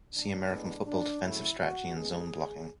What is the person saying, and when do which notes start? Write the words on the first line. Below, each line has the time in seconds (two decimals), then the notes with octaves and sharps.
See American football defensive strategy and zone blocking.
0.13 D4
0.49 A2 G#3 B3
0.86 D4
1.22 C#3 F#3 A3 E4
1.58 F#4
1.94 C#3 G#3 B3 G#4